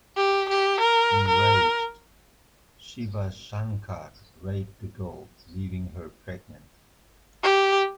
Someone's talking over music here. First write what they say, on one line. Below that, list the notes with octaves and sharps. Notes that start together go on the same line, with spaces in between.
Enraged, Shivashankar raped the girl, leaving her pregnant.
G4
G4
A#4
A#4
G4